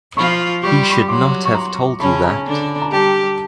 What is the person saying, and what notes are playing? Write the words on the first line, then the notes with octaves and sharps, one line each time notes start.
He should not have told you that.
F3 F4 B5 C#6
G3 G4 C#6
C6
B5 C#6
F#3 F#4 C6 D6
C#6
A#5 C6
C#3 C#4 A5 B5
B5
G#5 A#5
D3 D4
A#5
G3 G4 G5 A5